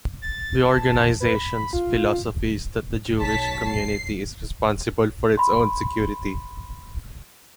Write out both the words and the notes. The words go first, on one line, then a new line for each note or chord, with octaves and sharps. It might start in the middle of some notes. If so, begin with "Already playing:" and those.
The organisation's philosophy is that the Jewish community is responsible for its own security.
A6
A5
B4
B5
F4
B1 C#5 A5 B6
C7
B5 C6